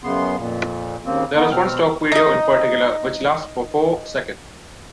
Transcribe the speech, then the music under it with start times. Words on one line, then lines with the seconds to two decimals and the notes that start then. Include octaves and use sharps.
There is one stock video in particular which lasts for four seconds.
0.03 F#2 C#3 B3 C6
0.39 F2 A#2
1.05 D#2 C#3 A#3 C4
1.36 B3 D#4
1.51 B2 C4 F6
2.12 D#4 D#5